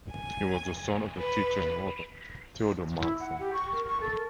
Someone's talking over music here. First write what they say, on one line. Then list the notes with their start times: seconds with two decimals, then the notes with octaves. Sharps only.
He was the son of the teacher and author Theodor Madsen.
0.11 G#5
1.17 B4
2.98 E4
3.20 F#5
3.39 G4
3.53 C#6
3.72 A#4
3.87 C#6
4.00 A4
4.14 A#4